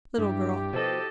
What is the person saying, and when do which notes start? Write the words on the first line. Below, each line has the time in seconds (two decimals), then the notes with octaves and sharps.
Little girl.
0.18 G2 E4 G4
0.73 B2 F3 A4 D#5